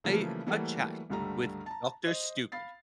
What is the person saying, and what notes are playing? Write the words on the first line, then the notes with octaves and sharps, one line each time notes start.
a a chat with Doctor Stupid."
C#3 E3 F3 G3 A3 A#3
E3 F#3 G3 A3 A#3 F#4
C#2 G2 D3 G3 A3 A#5
A5 A#5
C5 D#5
F5 B5 A6 C7